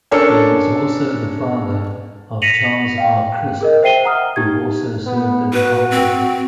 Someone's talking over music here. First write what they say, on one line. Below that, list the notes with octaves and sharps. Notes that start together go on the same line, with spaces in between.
He was also the father of Charles R. Crisp who also served in Congress.
C#4 D4 A4 A#4
A#6 B6 C#7 D#7 F7 F#7
F5 G5
G#4 A#4 D#5
C5 E5 G5 C7 D#7 G7
F#5 A#5 D#6 F6
D#4 G4 G#6
B3
F#4 B4
C4